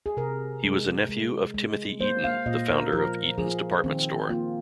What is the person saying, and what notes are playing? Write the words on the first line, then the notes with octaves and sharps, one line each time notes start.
He was a nephew of Timothy Eaton, the founder of Eaton's department store.
G#4
C3 A#4
G#3
G#3
G#3
A#3 C5
F5
A#2 D#5
A#4
F3 A#4
F3 G#4
D#3 C4
A#3 F4